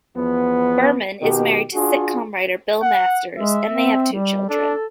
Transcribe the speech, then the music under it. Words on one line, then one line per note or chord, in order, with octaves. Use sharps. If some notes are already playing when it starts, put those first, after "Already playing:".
Berman is married to sitcom writer Bill Masters and they have two children.
E2 F3 B3
B2 D#3 G4
D4 F4 F#4 G#4
F#5
G#3 E5
C4
G3
D4 A4